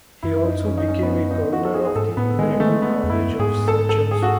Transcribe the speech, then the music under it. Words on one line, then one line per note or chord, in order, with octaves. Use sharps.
He also became a governor of the American College of Surgeons.
F#2 E4
E4
D#4
C#4
D#4
C#4
B3
C#4
D#4
F#4
A4
G#4
G#4
G#2 A4
A2 B3
D#3 G#3
G#3
D#3 A3
B3
E2
F#2 E4
G#2 G#4
A4
A4
G#4
F#4